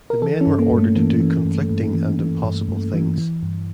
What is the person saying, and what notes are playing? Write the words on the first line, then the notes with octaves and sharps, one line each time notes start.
The men were ordered to do conflicting and impossible things.
A#4
E3 A4
C#4
G2
A#3
G2
A3
E3 A#3
E3
G2
G2
E3
E3
G2
G2
E3
E3
G2